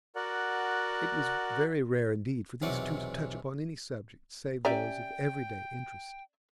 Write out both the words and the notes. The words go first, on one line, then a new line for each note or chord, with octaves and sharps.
It was very rare indeed for these two to touch upon any subject save those of everyday interest.
F#4 A#4 D5 F#5
B1 E2 C3 C#5 D5
C#4 G4 D5 E5 G5 G#5 A#5